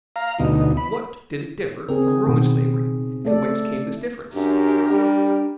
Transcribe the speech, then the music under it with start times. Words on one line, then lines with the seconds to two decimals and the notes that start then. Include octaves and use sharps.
In what did it differ from Roman slavery, and whence came this difference?
0.16 F5 A#5
0.39 D2 B2 D#4
0.77 B5
1.89 C#3 C4 G#4 A#4
2.27 B2 D#3
3.25 A3 A4 D5
4.34 F#2 D4 G4 A#4
4.90 G3